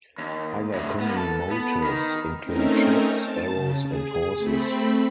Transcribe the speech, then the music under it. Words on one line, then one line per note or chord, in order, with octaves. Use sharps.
Other common motifs include ships, arrows and horses.
D#2
D2 A2
A#3 B3
A4
B3
D#3
A3 C4 C#4 D#4 A#4
A5
C#3
G#4
A3 C4 B5